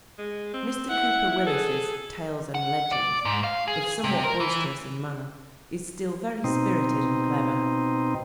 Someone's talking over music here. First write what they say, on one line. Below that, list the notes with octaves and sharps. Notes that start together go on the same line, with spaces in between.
Mr. Cooper Willis's Tales and Legends, if somewhat boisterous in manner, is still very spirited and clever.
G#3
C4
E4 F#5
G#4 A4
F#5
D5
G#2
F5
G#4
C3
A#4
E3
B2 C4 D#4